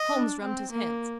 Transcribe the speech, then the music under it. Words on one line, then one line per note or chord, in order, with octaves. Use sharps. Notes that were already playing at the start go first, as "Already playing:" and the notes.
Holmes rubbed his hands.
Already playing: D#5
D4
C4
A#3